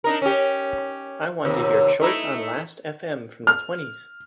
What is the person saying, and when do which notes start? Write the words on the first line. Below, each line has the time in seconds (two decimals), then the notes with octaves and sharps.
I want to hear Choice on Last Fm from the twenties.
0.04 D4 D#4 A#4
0.22 C#4 G4
1.45 D#2 C3
2.01 A3 D#4 E4
3.47 F6